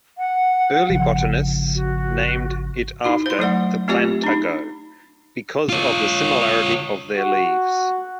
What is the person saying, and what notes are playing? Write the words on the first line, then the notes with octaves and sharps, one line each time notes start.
Early botanists named it after the "Plantago" because of the similarity of their leaves.
F#5
G#1 C#3 F3
F#4
D#4 E4 F#4
C5 C6
F#3 A3 D5 F#5
A3 C4 F4 G4 D5
D4 D#4
F4 C#5
F#4